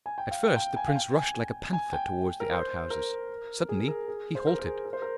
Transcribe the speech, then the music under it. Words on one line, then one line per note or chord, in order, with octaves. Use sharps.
At first the prince rushed like a panther toward the outhouses. Suddenly he halted.
G#5
G5
F5
G5
G5
G#5
F5
G5
G#5
G#5
G5
A#4
C5
A#4
G#4
A#4
G#4
C5
A#4
A#4
G#4
A#4
C5
A#4